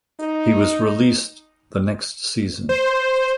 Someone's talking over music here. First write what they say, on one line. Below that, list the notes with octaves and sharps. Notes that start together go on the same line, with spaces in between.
He was released the next season.
D#4
C5